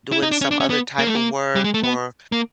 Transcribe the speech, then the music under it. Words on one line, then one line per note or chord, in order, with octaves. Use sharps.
doing some other type of work or,
E4
D#4
D4
C#4
D4
C#4
B3
A#3
A3
A#3
G3
G#3
A3
B3
A#3